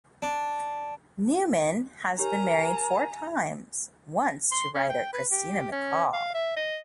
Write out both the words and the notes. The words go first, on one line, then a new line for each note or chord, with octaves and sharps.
Newman has been married four times, once to writer Christina McCall.
D4
D#4 G4 A#4 C#5 G#5 A#5
C6
C#4
G5
B4
G4
C#4
F5
E5
D#5